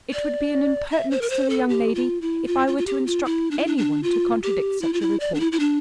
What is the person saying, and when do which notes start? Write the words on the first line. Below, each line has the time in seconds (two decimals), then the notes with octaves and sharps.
It would be an impertinence to the young lady if I were to instruct any one to contradict such a report.
0.13 D5
0.91 E5
1.11 C5
1.21 A#4
1.30 C5
1.50 A4
1.69 G4
1.95 F4
2.22 E4
2.47 F4
2.67 F4
2.78 F4
2.86 G4
3.06 F4
3.25 E4
3.51 D4
3.58 E4
3.66 D4
3.78 D4
4.03 F4
4.43 G4
4.81 E4
4.93 F4
5.01 E4
5.20 D5
5.35 D4
5.40 E4
5.52 E4
5.60 D4